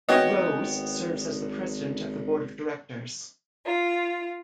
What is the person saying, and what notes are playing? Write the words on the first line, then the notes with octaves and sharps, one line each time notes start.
Rose serves as the President of the Board of Directors.
G#1 B3 C#4 F#4 C#5 D#5 G5
F4